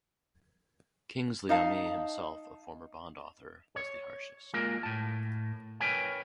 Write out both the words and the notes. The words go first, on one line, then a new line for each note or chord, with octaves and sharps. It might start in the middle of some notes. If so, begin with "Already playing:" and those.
Kingsley Amis, himself a former Bond author, was the harshest.
D#4 F5 A5
C#5
G#3 A#3 F4 A#4
A2 A5
A#4 B4 C#5 G5 G#5